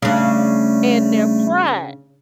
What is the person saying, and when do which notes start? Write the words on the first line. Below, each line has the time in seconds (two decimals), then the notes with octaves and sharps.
and their pride.
0.02 C#3 G3 A3 D4